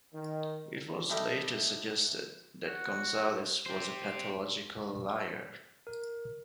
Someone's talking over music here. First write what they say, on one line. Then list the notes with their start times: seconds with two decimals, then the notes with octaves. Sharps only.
It was later suggested that Gonzales was a pathological liar.
0.15 D#3
1.10 G3 A3 D#4 E4 G4
2.66 F#4
3.66 G4 C5
5.87 A#4